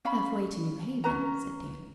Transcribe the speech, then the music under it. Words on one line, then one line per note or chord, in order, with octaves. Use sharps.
'Half-way to Newhaven,'said Dan.
C#4 F5 B5
C#4 B4 A#5